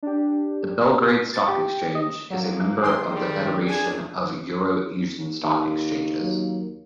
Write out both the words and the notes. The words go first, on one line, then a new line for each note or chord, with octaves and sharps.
The Belgrade Stock Exchange is a member of the Federation of Euro-Asian Stock Exchanges.
D4 G4
A6
G4
D#5
F#3 A#3
D#3 G#4 G5 C6
G3
E2 D4 G#4 G#5 G#6
D#2
F#3 A#3